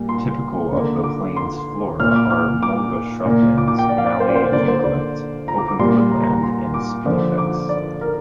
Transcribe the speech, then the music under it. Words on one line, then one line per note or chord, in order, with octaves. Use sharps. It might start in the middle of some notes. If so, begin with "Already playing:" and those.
Typical of the plains flora are mulga shrub-lands, mallee eucalypt, open woodland and spinifex.
Already playing: A#2 G3
C6
D3 A#3
D6
C6
A#2 A#3 F6
D6
F6
D6
A#2 A#3
D6
D6
G5
D5
F5
D5
C5
D5
C5
D3 A#3 D5
C5
D5
A#5
D6
D6
A#2 G3 A#3 C6
A#5
A#5
A#5
C6
D6
D3 F3 A#3 D6
D6
D5
A#4